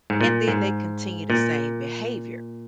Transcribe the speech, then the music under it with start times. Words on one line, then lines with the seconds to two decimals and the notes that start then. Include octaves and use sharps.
and then they continue the same behavior.
0.10 G#2
0.21 A#2
0.48 G#2
1.30 A#2